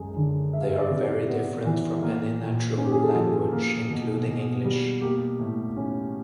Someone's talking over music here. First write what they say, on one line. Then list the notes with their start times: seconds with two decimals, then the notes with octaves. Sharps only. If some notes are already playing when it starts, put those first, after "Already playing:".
They are very different from any natural language, including English.
Already playing: F#2 G#3
0.16 D3
0.53 G#3 E5
0.61 F5
0.70 E5
0.78 D5
0.91 C3
1.03 D5
1.28 B3
1.65 E3
2.02 A#3
2.41 A#2
2.77 C#4 G#4
2.85 G4
2.92 G#4
3.02 A4
3.14 F3
3.27 G#4
3.52 A#3
3.90 B2
4.27 B2
4.64 G3
5.01 A#3 G4
5.39 A2
5.77 C#4